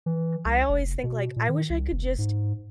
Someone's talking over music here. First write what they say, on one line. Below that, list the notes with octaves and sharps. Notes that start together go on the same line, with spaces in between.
I always think, like, I wish I could just
E3
C2
F1
B2
A#2
D#3
C2
F1
G#2